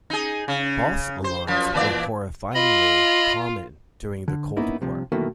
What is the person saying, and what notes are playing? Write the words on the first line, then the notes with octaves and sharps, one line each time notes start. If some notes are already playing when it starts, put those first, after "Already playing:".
False alarms were horrifyingly common during the Cold War.
D#4 G#4
C#3
C5
F#2 F3
A#2 E3 D5
F4 D#5 B5
D3
A#3 B3 C#4 D#4 E4
G2 C3 F3
F#2 B2 D#3 E3 A3 A#3